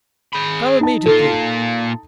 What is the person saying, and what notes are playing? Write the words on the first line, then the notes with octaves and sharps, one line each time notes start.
Go immediately.
G#4 B5
D#4 A5
A#2 F4 A4